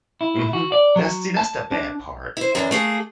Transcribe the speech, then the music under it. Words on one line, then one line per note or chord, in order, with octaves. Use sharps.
Mhm, that's see, that's the bad part.
E4
F#4
D5
F#3
A5
D4
E4 C5
F#2 E3 D4
A3 A#3 G#4